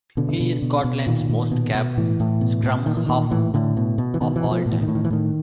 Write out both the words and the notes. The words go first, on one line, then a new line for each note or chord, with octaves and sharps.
He is Scotland's most capped scrum-half of all time.
B2 D3
B2
B2
B2
A#2 D#3
A#2
B2
B2
A2 E3
A2
B2
B2
A#2 D#3
E3
A#2 D#3
A2 E3
A2 D3
B2
B2
E3
B2 D#3
E3
B2
F3
A2
E3
D#3
A2
D#3
E3
A2 D#3